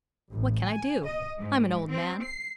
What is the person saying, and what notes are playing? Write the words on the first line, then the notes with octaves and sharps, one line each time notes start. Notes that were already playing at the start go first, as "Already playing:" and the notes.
What can I do? I'm an old man.
A1
G#5
D#5
G#2
C4
C7